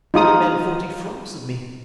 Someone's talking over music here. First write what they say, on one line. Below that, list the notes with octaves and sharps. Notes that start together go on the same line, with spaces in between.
They demand forty francs of me.
D#4 F4 D#6